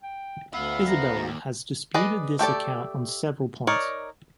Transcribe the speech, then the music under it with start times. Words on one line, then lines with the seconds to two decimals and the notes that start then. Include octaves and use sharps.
Isabella has disputed this account on several points.
0.03 G5
0.54 D2 B3 E5 F5
0.87 A#5
1.17 D#2
1.94 G#4 B4 D5 D#5
2.39 A3 G4 A4 D5
3.67 D#4 A#4 C#5 D5